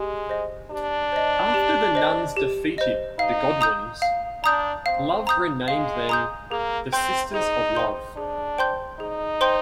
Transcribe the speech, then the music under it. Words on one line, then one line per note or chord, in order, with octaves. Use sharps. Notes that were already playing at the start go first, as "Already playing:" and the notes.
After the Nuns defeated The Godwinns, Love renamed them the Sisters of Love.
Already playing: G#3 G4
C5 D#5
D4 G4
C5 D#5
G4
C5 D#5
G4
C5 D#5
D#4 F5
A#5 D#6 G6
F5
D4 A#5 D#6 G6
C4 F5
A#5 D#6 G6
G#3 F5
A#5 D#6 G6
A#3 G#4
C4 C5 G5 C6 G6
D#4 G#4
C5 G5 C6 G6
D4 G#4
C5 G5 C6 G6
D#4 G#4
C5 G5 C6 G6